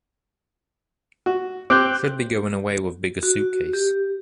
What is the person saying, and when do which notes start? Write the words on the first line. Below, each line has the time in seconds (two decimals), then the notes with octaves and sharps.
Should be going away with bigger suitcase.
1.26 F#4
1.70 C4 G4 D6 F#6 G6
3.23 F#4
3.73 G4